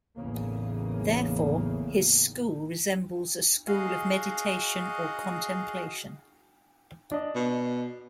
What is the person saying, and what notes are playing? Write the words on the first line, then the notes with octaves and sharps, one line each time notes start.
Therefore, his school resembles a school of meditation or contemplation.
A1 E2 A2 C#3 A#3
F#4 G#4 D#5 F5
D4 D#5
B2